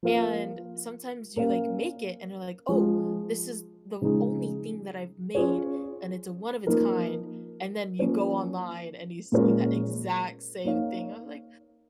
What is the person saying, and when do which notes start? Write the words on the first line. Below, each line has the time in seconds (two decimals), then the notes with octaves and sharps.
and sometimes you like make it and you're like, "Oh, this is the only thing that I've made, and it's a one of its kind," and then you go online and you see that exact same thing, I was like,
0.03 F3 A#3 F4 A#4 F5
1.36 A#3 C#4 A#4 F5
2.69 F3 G#3 F4
4.01 C#3 F3 G#3 D#4 G#4
5.35 C#4 F4 G#4 C#5
6.67 F3 A#3 D#4 A#4
7.99 F3 A#3 C#4
9.32 A#2 G#3 C#4 F4 A#4
10.65 A#3 D#4 C#5 F5